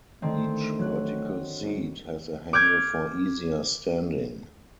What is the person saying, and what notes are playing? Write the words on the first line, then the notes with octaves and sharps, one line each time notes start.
Each vertical seat has a handle for easier standing.
D3 D#3 A3 C4
F#3 F#6
G#2
D6 F6 G6 G#6